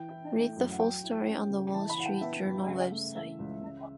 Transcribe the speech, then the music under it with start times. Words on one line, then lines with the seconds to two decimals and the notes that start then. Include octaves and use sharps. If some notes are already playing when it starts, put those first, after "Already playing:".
Read the full story on the Wall Street Journal website.
Already playing: E3 G5
0.09 E4
0.32 A3
0.56 F#2
0.72 F#5
0.80 F#3 G5
1.03 E4
1.27 C#4
1.50 C#3
1.74 E3 A5
1.90 B5
1.98 E4 F#5
2.06 G5
2.21 B3 E5
2.44 G2
2.68 C#3
2.91 A3
3.16 E3 E5
3.39 C#2
3.63 C#3